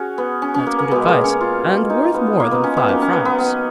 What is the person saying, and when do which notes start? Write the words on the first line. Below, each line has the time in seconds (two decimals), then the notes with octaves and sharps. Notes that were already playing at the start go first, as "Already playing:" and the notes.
That's good advice and worth more than five francs.
Already playing: C#4 F#4 G#4
0.18 B3
0.42 C#4
0.54 C#4
0.67 A#3
0.79 A#3
0.91 B2 G#3 B3
1.09 A#3
1.24 C#4
1.41 F4
1.90 D#4
2.14 B3
2.40 A#3
2.51 B3
2.64 C#4
2.77 B3
2.88 D#3 F#3 A#3 C#4
3.02 C#4
3.13 B3
3.25 B3
3.39 B3